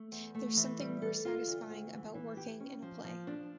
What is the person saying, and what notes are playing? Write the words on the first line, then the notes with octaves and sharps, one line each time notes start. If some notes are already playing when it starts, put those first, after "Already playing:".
There's something more satisfying about working in a play.
Already playing: A3
E2
A3
E3
G3
A4
F4
D2
D2
E3
E3
G4
C#4
F3
F3
D4